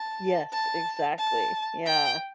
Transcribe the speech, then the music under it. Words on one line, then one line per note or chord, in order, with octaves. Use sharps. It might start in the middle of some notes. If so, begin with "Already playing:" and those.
Yes, exactly. Yeah.
Already playing: A5
A5
A5
G5